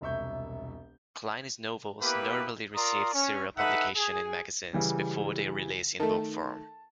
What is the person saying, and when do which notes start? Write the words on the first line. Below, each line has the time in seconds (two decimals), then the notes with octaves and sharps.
Kline's novels normally received serial publication in magazines before their release in book form.
0.01 E1 C2 E5 C#6 G6
2.01 A#3 B3 E4 G4 B4
2.75 F4 A#4 D5 A#5 C6 D#6
3.13 C#4
3.57 D#4 A4 B4 E5 F#5
3.96 G#4
4.73 C#3 E3 G3
6.00 D#3 A3 A5